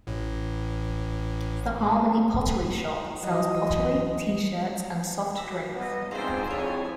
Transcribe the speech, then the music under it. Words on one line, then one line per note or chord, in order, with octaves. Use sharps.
The Harmony Pottery Shop sells pottery, T-shirts, and soft drinks.
A1 A2
E3 F#3 D#5
F#4 E5
G3 B3 D#5
G#2 C4 D4 F4 G#4 C5 E5 G5
F2 E4 C#5 G#5